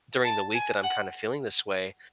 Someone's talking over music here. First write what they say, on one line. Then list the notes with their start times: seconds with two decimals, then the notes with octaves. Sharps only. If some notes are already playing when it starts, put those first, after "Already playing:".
during the week that I'm kinda feeling this way.
0.25 A5
0.54 G#5
0.83 F#5